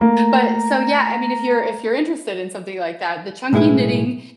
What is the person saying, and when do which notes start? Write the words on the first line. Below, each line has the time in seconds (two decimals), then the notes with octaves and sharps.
but so, yeah, I mean if you're if you're interested in something like that, the chunky knitting
0.01 A3 A#3 A#5
3.53 B1 A2 G#3 E4 G#4